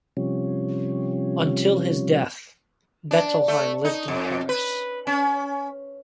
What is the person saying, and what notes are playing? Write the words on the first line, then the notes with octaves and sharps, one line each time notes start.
Until his death, Bettelheim lived in Paris.
C3 F3 G3 C#4
D4
A3
D#4
F2
B4
C#4